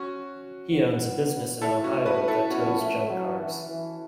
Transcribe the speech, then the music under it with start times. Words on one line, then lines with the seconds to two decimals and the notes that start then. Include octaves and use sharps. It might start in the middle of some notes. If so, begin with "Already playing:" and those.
He owns a business in Ohio that tows junk cars.
Already playing: C#4 F#4
0.73 B3
1.61 A3 E4 A4
1.84 C#4 F#4
2.06 F#4 B4
2.28 E4 A4
2.50 B3 C#4 F#4
2.80 A3
3.09 F#3
3.40 E3
3.69 E3